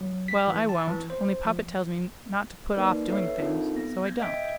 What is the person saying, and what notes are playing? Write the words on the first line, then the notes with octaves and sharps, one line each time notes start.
"Well, I won't, only papa tells me not to put off doing things, so I don't."
F#3
B6
E3
A5
E3
C5
F3
A#3 D#4 A#4 B4 D5
A4 B4 C#5 E5
C4 D4 D#4 F4 A4 A#4
B3 A#6
G6 G#6
D#5 E5 G5 B6 D7